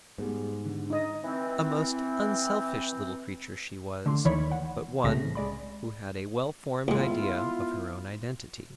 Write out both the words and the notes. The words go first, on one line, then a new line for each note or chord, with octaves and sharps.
A most unselfish little creature she was, but one who had a well-formed idea of her own identity.
G#2 G3 G#3 B3
D3
D#4 D#5
E3 C4
D3 A3 C6
D#2 D#3 E3 C#5 D5 B5
F#5
C2 A2 C#3 A3 A#6
G#3 D5 B5
D#2 G#3 B3 E4 F4